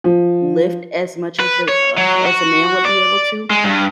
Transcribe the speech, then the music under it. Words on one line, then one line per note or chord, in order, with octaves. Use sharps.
lift as much as a a as a man would be able to,
F3
B4
C#5
F#3
F#4
D5
G#3
G2